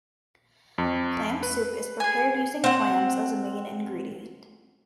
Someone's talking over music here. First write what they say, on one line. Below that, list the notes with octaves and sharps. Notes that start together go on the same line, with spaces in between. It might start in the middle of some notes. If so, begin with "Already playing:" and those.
Clam soup is prepared using clams as a main ingredient.
F2
B4
G#4 G#5
C4 F#5